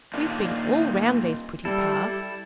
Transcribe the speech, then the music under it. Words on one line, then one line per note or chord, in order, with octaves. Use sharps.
We have been all round these pretty paths.
A#2 D#3 D4 F4
G3 E4 A4